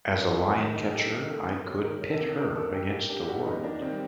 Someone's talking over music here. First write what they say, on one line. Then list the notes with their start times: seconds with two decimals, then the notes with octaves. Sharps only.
As a lion-catcher, I could pit her against the world.
0.21 F#3 A4
0.39 A3 A#4
0.57 D#3
0.76 D#4 A4
0.93 G4 A4
1.11 A#3 A4
1.30 A3
1.47 C4
1.66 F#3
1.84 D#3 A#4
2.01 F#3
2.11 A4
2.19 C3
2.38 A3 A#4
2.55 D4 A4
2.74 A2 G4
2.92 A#3 G4
3.09 D4 G4
3.28 G3 F#4
3.46 G3 D#4
3.63 A#3 D4
3.82 D#3 C4
3.92 G3